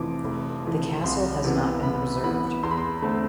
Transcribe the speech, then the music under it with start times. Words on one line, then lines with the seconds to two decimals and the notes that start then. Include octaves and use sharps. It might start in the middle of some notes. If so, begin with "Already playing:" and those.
The castle has not been preserved.
Already playing: F1 F2 E3 D6
0.24 F1
0.65 F2 E3
1.04 C2 C6
1.44 C3 E3 B3
1.83 C2 B5
2.23 C3 E3 B3 B5
2.63 E2 C6
2.71 B5
2.78 C6
3.02 D3 A3 C4